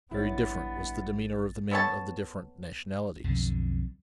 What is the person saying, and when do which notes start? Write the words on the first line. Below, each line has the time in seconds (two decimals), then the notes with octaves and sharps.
Very different was the demeanour of the men of the different nationalities.
0.11 A1 G2 B3 E4 C#5 A6
1.71 B3 A4 C#5 A5
3.24 B1 F2 D3